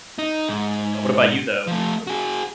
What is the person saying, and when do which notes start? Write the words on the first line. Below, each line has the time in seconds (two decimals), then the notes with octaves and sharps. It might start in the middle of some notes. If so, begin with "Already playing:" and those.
Uh, what about you though? What what, uh
0.18 D#4
0.49 G#2
1.67 F3 A3
2.07 F#4 G#4